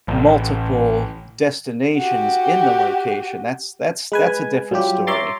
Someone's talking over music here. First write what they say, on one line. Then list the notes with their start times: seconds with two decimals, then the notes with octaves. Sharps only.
multiple destinations in the location, that's that's that's a different story.
0.08 A1
1.97 F#4 G4
4.12 G#3 B4 G#5
4.71 F#3 G3 F4 G4
5.07 C#5 E5 A#5 C6 D6 A6